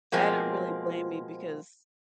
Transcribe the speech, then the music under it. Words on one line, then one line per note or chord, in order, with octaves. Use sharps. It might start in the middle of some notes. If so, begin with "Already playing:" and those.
I don't really blame you because,
B2 F3 G#3 A#3 C4